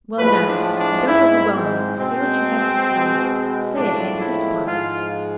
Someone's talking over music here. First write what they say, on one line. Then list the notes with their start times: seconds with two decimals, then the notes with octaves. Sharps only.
"Well, no, I don't overwhelm you; say what you have to tell me--say it, I insist upon it."
0.18 A2 F3 G#3 B4
0.48 D4
0.78 D4
1.08 G#2 G#3 E4
1.52 C4
1.98 B2 G#3 C4
2.87 B2 G#3
3.76 A2 F3 G#3 D4
4.21 E4
4.65 G#2 F3 G#3 F4